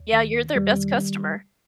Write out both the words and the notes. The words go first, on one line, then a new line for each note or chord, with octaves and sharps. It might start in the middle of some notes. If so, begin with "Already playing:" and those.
Yeah, you're their best customer.
Already playing: D#2
D#3
D#3
F2 G3
D#3